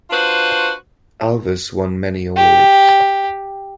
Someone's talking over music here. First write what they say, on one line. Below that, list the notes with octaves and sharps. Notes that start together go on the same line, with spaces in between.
Alves won many awards.
D4 F4 F#4 B4 C5
G4